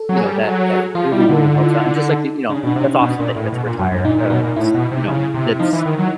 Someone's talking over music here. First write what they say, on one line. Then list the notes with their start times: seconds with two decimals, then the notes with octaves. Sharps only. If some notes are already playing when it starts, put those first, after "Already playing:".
you know, that that really, really helps out, and just, like, you you know, that's awesome that you get to retire, uh, just you know, it's
Already playing: A4
0.09 F#3
0.17 G#4
0.25 G3
0.43 F#3
0.95 F3 F4
1.12 G3 E4
1.21 D#4
1.29 D3
2.49 C#3 D4
2.63 B2 D4
2.76 C3
2.84 C#4
3.01 B2 D4
3.19 A#2
3.36 A2
3.53 B2
3.66 A#2
3.79 F#2
3.92 F#2
4.04 A#2 D#4
4.18 A#2
4.30 B2 D#4
4.43 A#2
4.56 A2 E4
4.74 B2
4.91 C3
5.08 C#3
5.34 C3
5.59 F3 D#4
5.73 E3
5.86 D#3
5.98 F#3